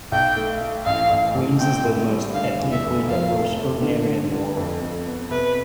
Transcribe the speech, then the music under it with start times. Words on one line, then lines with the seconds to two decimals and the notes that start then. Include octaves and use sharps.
Queens is the most ethnically diverse urban area in the world.
0.12 B1 G5
0.36 A3
0.61 A3
0.85 A1 F5
1.11 A1
1.35 A1
1.59 C4 G5
1.85 A2
2.09 G3
2.33 D3 F5
2.59 E2
2.71 E5
2.83 F1
3.08 F3 F5
3.33 A3
3.58 A3
3.82 D3
4.07 D3
4.32 D3
4.57 F2
4.81 F2
5.06 B3
5.31 C3 B4